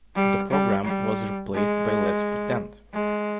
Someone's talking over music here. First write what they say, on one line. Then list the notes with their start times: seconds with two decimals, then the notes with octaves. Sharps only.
The programme was replaced by "Let's Pretend".
0.16 G3
0.51 G3
0.85 G3
1.55 G#3
2.93 G#3